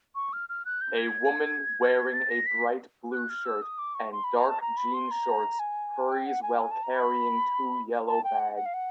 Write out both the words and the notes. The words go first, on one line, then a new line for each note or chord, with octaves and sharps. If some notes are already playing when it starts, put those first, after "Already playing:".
A woman wearing a bright blue shirt and dark jean shorts hurries while carrying two yellow bags.
C#6
F6
F6
F#6
G6
G#6
A6
A#6
B6
F#6
F6
E6
D#6
D6
C#6
C6
B5
A#5
A5
A#5
B5
C6
A#5
G#5
G5
F#5
G#5
G5
G#5
A5
A#5
B5
A5
G5
F#5
F#5
F5
F#5